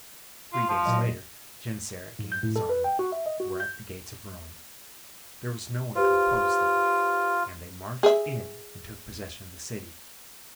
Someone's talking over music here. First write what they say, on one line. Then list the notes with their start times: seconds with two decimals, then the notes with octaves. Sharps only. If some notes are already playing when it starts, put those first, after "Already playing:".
Three days later Genseric and his army were at the gates of Rome. There was no one to oppose them, and they marched in and took possession of the city.
0.53 F4
0.69 F3
0.86 A#2 F#3 D#5
2.19 G#2
2.32 G6
2.43 A2
2.56 A4
2.69 B4
2.84 G5
2.99 F#4
3.12 E5
3.26 D#5
3.40 F#4
3.60 G6
5.95 F4 G4 B4 C5
8.03 G#4 E5